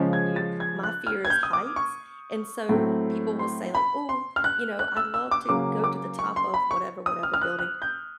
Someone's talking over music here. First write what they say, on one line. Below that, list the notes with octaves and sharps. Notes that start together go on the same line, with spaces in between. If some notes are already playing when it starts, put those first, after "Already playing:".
you. My fear is heights, and so people will say like, "Ooh, you know, I'd love to go to the top of whatever whatever building,"
Already playing: C#3 F3 G#3 C#4
G#6
A6
G#6
F#6
F6
G#6
G6
D#6
D6
C#6
A2 F#3 A3 C4
C6
B5
C6
F6
F#6
F#6
E6
E6
D6
C#3 F#3 A#3 C#4 D6
D6
C#6
C6
B5
C#6
D#6
F6
F6
F#6
F#6
G6